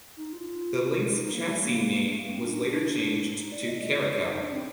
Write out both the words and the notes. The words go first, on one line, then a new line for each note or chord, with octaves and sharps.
The Lynx chassis name was later changed to Caracal.
D#4
F4
D#4
D#4
A#3
A3
A#3
A3
A#3
C4
D4
D#4
D4
D#4
D5
D#5
D#5
D#5
D5
C5
D#4
D4
C4